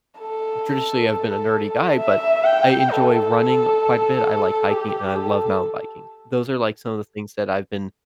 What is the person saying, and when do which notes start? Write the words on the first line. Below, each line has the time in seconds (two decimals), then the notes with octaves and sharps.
Traditionally, I've been a nerdy guy, but I enjoy running quite a bit, I like hiking, and I love mountain biking. Those are, like, some of the things that I've been,
0.19 A4
1.99 E5
2.45 G5
2.90 A4
4.71 G4
5.16 A4